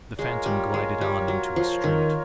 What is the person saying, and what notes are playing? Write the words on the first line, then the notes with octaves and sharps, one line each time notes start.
The Phantom glided on into a street.
G#3 F4 A#4 C#5
G3
G#3
G3
F#3
F3
D#3